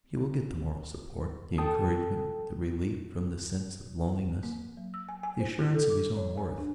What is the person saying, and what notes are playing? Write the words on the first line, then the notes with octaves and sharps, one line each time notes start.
He will get the moral support, the encouragement, the relief from the sense of loneliness, the assurance of his own worth.
A4 G5 A5 D#6
A#3
F#3
E6
G#5
G#5
C5
E4
A4
D6
C#5
G#5
D4